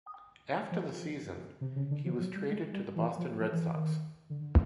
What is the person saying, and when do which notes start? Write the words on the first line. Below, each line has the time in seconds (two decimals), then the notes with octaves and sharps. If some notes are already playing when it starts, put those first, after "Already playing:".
After the season, he was traded to the Boston Red Sox.
0.71 F3
1.61 C3
1.76 C#3
1.91 D3
2.06 F3
2.21 F#3
2.36 G3
2.51 G#3
2.73 G3
2.95 E3
3.18 F3
3.40 F3
3.51 E3
3.62 E3
3.74 D#3
4.30 D3
4.41 D3